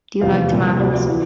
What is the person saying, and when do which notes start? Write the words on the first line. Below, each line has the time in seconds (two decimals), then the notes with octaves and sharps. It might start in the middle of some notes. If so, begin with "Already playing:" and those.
Do you like tomatoes?
0.21 F1 E2 C3 F3 F5
0.51 C2 A#2 F3
0.79 D2 C3 F3 D5
0.93 D5
1.09 E3